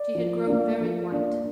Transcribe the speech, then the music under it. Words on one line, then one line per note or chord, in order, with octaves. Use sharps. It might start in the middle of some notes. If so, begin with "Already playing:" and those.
She had grown very white.
Already playing: D5
F3
A#3 D4
F3
A#3 D4